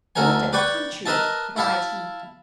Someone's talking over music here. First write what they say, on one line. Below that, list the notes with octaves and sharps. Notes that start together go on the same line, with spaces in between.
"What a country!" cried he.
D2 A4 A#4 G#5
B4 D5 G5 C#6
A#4 B4 D#5 E5 A5
E4 A4 E5 F5